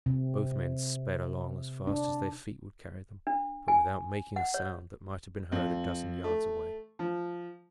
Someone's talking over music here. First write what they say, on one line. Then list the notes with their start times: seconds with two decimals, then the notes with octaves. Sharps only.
Both men sped along as fast as their feet would carry them, but without making a sound that might have been heard a dozen yards away.
0.06 C3
1.87 D4
3.27 D4
3.68 G#5
4.36 F#5
4.54 C#5
5.52 F2
6.24 A3
6.99 F3